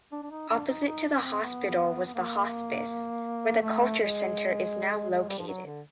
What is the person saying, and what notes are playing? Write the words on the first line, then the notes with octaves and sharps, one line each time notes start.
Opposite to the Hospital was the Hospice, where the Culture Center is now located.
D4
D4
D#4
D4
D#4
D#4
D4
C4
B3
B3
A#3
A3
G#3
G#3
G3
F3
F#3
D3